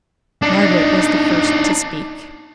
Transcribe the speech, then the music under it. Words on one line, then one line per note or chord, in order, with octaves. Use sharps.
Margaret was the first to speak.
D4 D#4